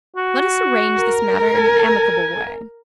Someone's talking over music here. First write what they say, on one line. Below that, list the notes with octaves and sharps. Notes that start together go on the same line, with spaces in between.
Let us arrange this matter in an amicable way.
F#4
A#4
G#5